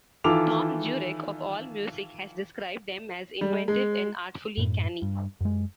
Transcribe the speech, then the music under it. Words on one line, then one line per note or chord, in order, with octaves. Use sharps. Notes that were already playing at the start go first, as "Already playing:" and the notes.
Thom Jurek of AllMusic has described them as inventive and artfully canny.
D#3 E3 F4 A4 D6 F7
G3
G#3
F#2 A2
G2
F#2 G#3